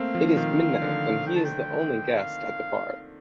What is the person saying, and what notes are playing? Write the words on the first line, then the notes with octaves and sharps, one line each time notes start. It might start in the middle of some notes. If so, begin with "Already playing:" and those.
It is midnight and he is the only guest at the bar.
Already playing: A3 A#3 C4 F5
F3
D#3
D3
G5
A5
G5
F5